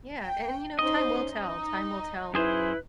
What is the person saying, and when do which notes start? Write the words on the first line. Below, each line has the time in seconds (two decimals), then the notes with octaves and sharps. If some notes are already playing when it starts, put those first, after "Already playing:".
Yeah. And, you know, time will tell. Time will tell
0.20 G5
0.79 C#4 D#4 C5 D#5
1.30 D#4
2.34 F#2 E4 G#4 B4 C5